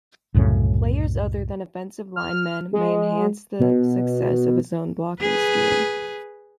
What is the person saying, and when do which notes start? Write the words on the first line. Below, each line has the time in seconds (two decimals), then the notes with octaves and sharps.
Players other than offensive linemen may enhance the success of a zone blocking scheme.
0.34 C2 F#2 A2 C#3
2.16 F6
2.73 G#3
3.60 B2
5.21 G#4 B4